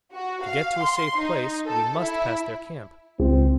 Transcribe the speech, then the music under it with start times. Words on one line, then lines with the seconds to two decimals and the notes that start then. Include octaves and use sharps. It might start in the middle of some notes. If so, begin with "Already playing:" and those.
To get to a safe place we must pass their camp.
0.13 F#4
0.43 F5
0.80 C6
1.18 D#4
1.65 A4
1.98 E4
3.20 C#2 C4